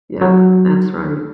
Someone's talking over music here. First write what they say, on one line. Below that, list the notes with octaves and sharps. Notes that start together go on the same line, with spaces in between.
Yep, that's right.
F#3